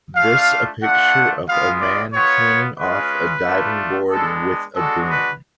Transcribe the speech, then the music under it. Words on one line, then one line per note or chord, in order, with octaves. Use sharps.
This a picture of a man cleaning off a diving board with a broom.
A3 D4 F4 F5
A3 D4 F4 F#5
G#3 B3 F4 F5
D5
B3 F4 C#5
G#3 C#4 F4 B4
A3 D4 F4
G#3 B3 D4 A4
G#3 D4 F#4 A4
B4